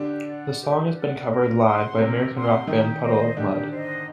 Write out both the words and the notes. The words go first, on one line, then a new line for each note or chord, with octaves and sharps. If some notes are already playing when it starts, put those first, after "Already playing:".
The song has been covered live by American rock band Puddle of Mudd.
Already playing: D3 D4 G4
D5 F#5
G4
D5 F#5
A#4
F#5 C6
C3 C4 A#4
F#5 C6
D#3 D#4 G4
C5 D#5
D3 D4 G4
C5 D#5